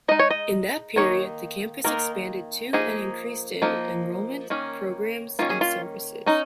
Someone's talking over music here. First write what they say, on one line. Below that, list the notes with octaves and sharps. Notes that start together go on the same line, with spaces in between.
In that period the campus expanded to and increased in enrollment, programs, and services.
G#3 D#4 D#5
C#5
D#5
D#3 A#3 D#4 C#5
D#3 A#3 D#4 A#4
F3 A#3 D#4 G#4
F3 A#3 D#4
D#3 A#3 C#4
D#3 A#3 C#4 F4
G#4
F4
C#4 D#4